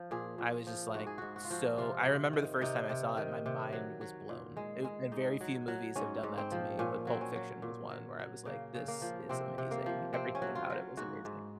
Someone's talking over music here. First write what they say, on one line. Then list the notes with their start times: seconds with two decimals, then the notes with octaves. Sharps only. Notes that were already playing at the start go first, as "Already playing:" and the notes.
I was just, like, so I remember the first time I saw it, my mind was blown, uh, and very few movies have done that to me, but Pulp Fiction was one where I was like, "This is amazing." Everything about it was amazing.
Already playing: F3
0.11 A#2 G#4
0.38 A#2
0.67 F3
0.94 G#2 F#4
1.06 G#4
1.18 G#2 F#4
1.36 F#4
1.44 F4
1.50 F3 F#4
1.78 C3 F4
2.05 C3
2.33 D#3
2.61 C3 D#4
2.89 C3
3.17 D#3
3.46 C3
3.72 F#3
4.01 F#3
4.29 A#2
4.57 G#3
4.85 G#3
5.12 G#2 D#4
5.41 F#3
5.68 F#3
5.96 G#2 C#4
6.23 G#2
6.38 C4
6.52 F3
6.79 A#2 C#4
7.07 F#3 C4
7.21 C#4
7.36 F#3
7.62 A#2
7.90 F#3
8.19 F#3
8.46 C#3 A#3
8.75 C#3
8.88 A#3
9.02 F3
9.29 C3 C4
9.58 C3
9.71 A#3
9.86 F3
10.13 C3 C4
10.35 C#4
10.42 F#3
10.55 F4
10.70 F#3
10.97 G#2 F#4
11.25 G#2